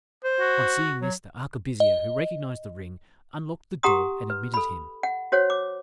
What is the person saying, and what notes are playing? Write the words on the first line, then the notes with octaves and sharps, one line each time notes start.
On seeing this, the arquebusier, who recognised the ring, unlocked the door, and admitted him.
C5
F#4
F#3
D#5
G4 F#5 A#5 C6 D#6
B4
A4 B5
F#5
F#4 C5 C#5 F#5
D6